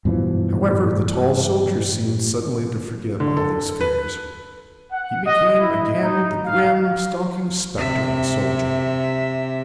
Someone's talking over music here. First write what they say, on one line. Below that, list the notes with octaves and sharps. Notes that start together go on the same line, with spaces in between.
However, the tall soldier seemed suddenly to forget all those fears. He became again the grim, stalking specter of a soldier.
G2 B2 E3 F3
D3
A4
B4
F#5
D#5
E4
D#4
F5
C3 E5